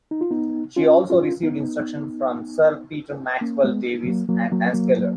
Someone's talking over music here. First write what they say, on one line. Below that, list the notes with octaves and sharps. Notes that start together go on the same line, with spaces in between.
She also received instruction from Sir Peter Maxwell Davies and Hans Keller.
D#4
F4
B3 D#4
C#4 F4
C#4 F4
B3 D#4
A#3 C#4
G#3 B3
F#3 A#3
F#3 A#3
F#3 A#3
F#3 A#3